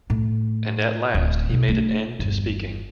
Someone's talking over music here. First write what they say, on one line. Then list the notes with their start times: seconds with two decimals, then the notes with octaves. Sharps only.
And at last he made an end to speaking.
0.10 A2
1.14 D1
1.49 B2 D3
1.68 A3 D4
2.19 G1 E2